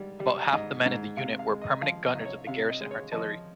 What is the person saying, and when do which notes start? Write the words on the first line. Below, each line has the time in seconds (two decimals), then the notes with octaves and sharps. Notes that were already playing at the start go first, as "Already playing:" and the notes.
About half the men in the unit were permanent gunners of the Garrison Artillery.
Already playing: G#2 G3
0.20 G3
0.53 G#2 D#5
0.86 G#2
1.17 C3 F5
1.39 F5
1.49 G#3
1.62 D#5
1.82 F3 F5
2.05 D#5
2.15 C2
2.25 C#5
2.47 C3 F5
2.69 D#5
2.81 G#3
2.91 C#5
3.12 F3 D#5